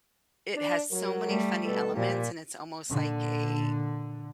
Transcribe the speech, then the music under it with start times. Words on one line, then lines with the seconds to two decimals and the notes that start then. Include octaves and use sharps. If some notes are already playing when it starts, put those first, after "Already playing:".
It has so many funny elements and it's almost like a
0.56 D4
0.91 F#3 A#4
1.25 G3 A3
1.65 B2 A4 B4
1.95 A#2 F3 G3 G4
2.89 A#2 D3